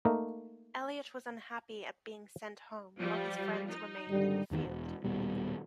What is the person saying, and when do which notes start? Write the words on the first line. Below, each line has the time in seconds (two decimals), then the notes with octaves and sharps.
Elliott was unhappy at being sent home while his friends remained in the field.
0.05 A3 A#3 D#4 A#4
2.98 F3 G3
3.69 D#4
4.08 G#1 D3 G3
4.51 E2 D#3 F#3 B3
4.65 E1
5.04 D#1 B2 G3